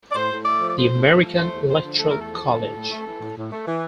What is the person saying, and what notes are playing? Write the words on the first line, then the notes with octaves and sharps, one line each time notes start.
"The American Electoral College".
D5
A2 C5
A2
A3 D5
F3
D5
A2 C5
A2
A3
F3
A3 C5
E2
F3 C5
D3
A3 A4
E2 A#4
A4
F3
D3
A2
A2
A3
E3
A2
A2
A3
E3